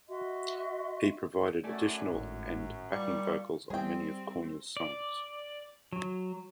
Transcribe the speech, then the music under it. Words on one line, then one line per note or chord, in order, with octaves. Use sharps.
He provided additional and backing vocals on many of Korner's songs.
F#4 D#5 E5 C6
F#2 A3 D5 G#5
G#1 A2
A#2 G3 C#6
G3 C4 G#4 G5
D5
F#3